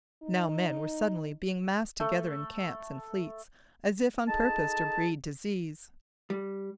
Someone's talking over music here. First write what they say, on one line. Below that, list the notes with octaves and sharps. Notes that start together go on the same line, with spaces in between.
Now men were suddenly being massed together in camps and fleets as if on Purpose to breed disease.
D#4
A3
D#4 G#4 A4 A5
G3